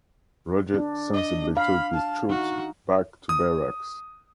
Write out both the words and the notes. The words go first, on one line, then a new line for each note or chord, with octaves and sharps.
Roget sensibly took his troops back to barracks.
D4
D#5
F5 B5
A5
D#4 F#4
D#6